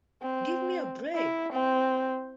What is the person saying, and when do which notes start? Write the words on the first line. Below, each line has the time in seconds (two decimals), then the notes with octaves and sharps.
Give me a break!
0.22 C4
1.14 E4
1.53 C4